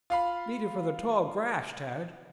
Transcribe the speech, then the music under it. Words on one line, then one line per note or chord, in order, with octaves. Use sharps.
"Beat it for the tall grass, Tad!"
F4 F5 B5